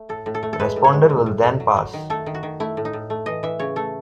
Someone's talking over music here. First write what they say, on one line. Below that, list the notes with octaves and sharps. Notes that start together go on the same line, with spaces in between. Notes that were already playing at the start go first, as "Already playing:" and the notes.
Responder will then pass.
Already playing: A3
A2 A4
A2
A4
A3
A4
G#3 B4
A2
C#5
G#3
A2
A2
A2
F#3
F#3
D#3
A3 A4
D#3
F#4
D#3
A3 E4
A2
D#4
A2
A3
E3 D#5
E3 E5
C#3 C#5
A3 A4